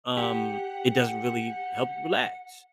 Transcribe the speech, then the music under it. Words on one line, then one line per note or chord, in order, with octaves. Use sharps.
um, it doesn't really help you relax,
G4 F#5